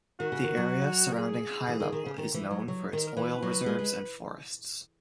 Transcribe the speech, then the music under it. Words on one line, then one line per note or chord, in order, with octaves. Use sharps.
The area surrounding High Level is known for its oil reserves and forests.
D#3 F#4
C#3
D#3
F#3
A#4
G#4
E3
D#3
D#3
C#3
D#3
E3
F#3
F#3
D#3
A#4
E3 B4
F#3
G#3
G#3